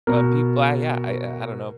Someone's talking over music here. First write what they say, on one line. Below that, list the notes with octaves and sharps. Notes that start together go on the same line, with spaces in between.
and people uh, yeah, I I I don't know.
B2 A#4